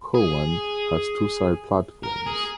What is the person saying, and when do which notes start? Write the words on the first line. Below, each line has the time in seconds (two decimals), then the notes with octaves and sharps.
Cowan has two side platforms.
0.15 G#4
2.04 A#4
2.27 G#4